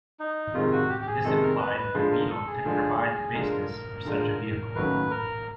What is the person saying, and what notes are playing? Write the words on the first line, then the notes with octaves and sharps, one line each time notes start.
This implied that the Beetle could provide the basis for such a vehicle.
D#4
C3 D#3 G#3 F4
F#4
G4
G4
G#4
C3 D#3 G#3 A4
A#4
B4
B4
D3 F3 G#3
A#4
A4
G#4
D3 F3 G#3
D3 F3 G#3 A#4
D3 F3 G#3
D#2 D#3 F#3 A3 C#4 B4
A#4